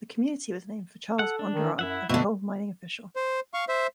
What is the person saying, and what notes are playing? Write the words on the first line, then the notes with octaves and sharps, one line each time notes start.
The community was named for Charles Bondurant, a coal mining official.
A4 F#5
D4
D#3
F#2 E4 E5 F#5
B2 D3 A3 C4 B4 E5
C5
F5 C#6
C5 E5